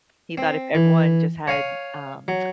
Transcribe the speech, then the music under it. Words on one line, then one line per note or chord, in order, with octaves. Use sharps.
He thought if everyone just had, um,
C4
E3
C#5 F5 G#5
F#3